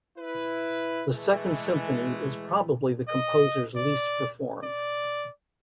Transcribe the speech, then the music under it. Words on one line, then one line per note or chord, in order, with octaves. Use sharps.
The Second Symphony is probably the composer's least performed.
E4 B4
E3 G#3 A3
D#5
D5
D5